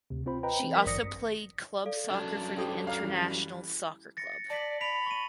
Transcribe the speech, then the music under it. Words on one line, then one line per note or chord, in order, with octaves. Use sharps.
She also played club soccer for Internationals Soccer Club.
D2 C3
C4 F4 C5 B5
B4 C5 D#5 G5 A#5 B5
E3 C4
F3 A#4 B6
G#1 G2 D5 D#6 A#6 C#7
A4 D5 F5
F#2 D4
C#4 F4 G4 A4 C5 D#6
F5 A#5 F6
E3 G3
A6 A#6 C#7
D5 A5 B6
B5 B6 D7 F7
C#6 D#7